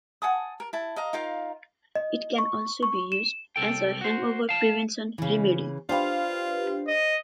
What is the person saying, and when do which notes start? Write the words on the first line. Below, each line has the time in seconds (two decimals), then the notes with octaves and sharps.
It can also be used as a hangover prevention remedy.
0.22 F#5 G#5 A5 D#6
0.60 A#4
0.73 E4 A5
0.96 D#5 F5 A#5
1.13 D#4 F4 A#4 F5
1.95 D#5
2.38 C#6
2.83 C#6
3.12 E7
3.56 C2 A4 G5
4.01 F#4 C5
4.49 F5 A5
5.18 C#3 E3
5.89 D4 F4 G4 B4 C5 F5
6.88 D#5